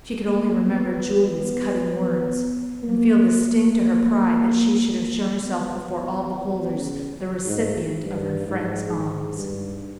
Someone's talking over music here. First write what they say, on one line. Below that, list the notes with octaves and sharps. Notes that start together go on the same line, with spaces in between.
She could only remember Julia's cutting words, and feel the sting to her pride that she should have shown herself before all beholders the recipient of her friend's alms.
A#3
B3
A#3
A#3
B3
B3
C#3
G#2
G2
G#2
G#2
G2